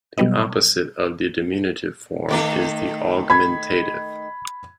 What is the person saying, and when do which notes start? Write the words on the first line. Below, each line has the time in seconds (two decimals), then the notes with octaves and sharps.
The opposite of the diminutive form is the augmentative.
0.18 B2 F#3 G3 B3 D#5
2.29 D#3 A3 B4
3.30 B5 G#6